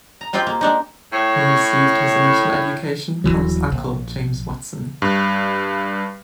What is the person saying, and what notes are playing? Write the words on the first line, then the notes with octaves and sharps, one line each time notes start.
He received his initial education from his uncle, James Watson.
A#5
G#3 C4 F4 G4 G5
A#3
G#3 D4 D#4
A2 C#5
D#1 E2 E3 F#3
A#1
G2